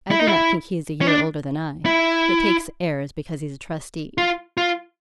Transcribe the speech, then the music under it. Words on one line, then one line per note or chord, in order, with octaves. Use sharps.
I do not think he is a year older than I, but takes airs because he's a trustee.
E4
D#4
E4
C#4
D4
E4
F4
F4